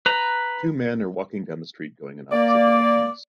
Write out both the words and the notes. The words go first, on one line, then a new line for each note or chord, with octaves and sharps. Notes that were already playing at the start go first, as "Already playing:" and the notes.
Two men are walking down the street going in opposite directions.
B4 A#5
A#3 D5